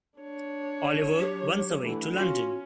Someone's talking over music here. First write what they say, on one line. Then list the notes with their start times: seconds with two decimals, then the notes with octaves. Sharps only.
Oliver runs away to London.
0.19 D4 C#5
1.19 F#3 G4
1.82 D3 E3 A3
2.17 C#4 F4 F#4